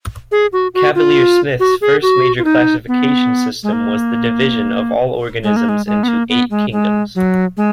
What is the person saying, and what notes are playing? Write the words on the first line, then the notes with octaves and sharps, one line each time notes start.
Cavalier-Smith's first major classification system was the division of all organisms into eight kingdoms.
G#4
F#4
F#4
F4
F#4
G#4
F#4
F4
D#4
B3
G#3
A#3
G#3
A#3
G#3
G#3
B3
A#3
B3
G#3
G#3
F#3
G#3